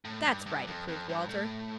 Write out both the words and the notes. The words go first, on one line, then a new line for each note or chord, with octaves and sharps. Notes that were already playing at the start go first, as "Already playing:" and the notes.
"That's right," approved Walter.
A2
G2
G2
F2
F2
G2
A2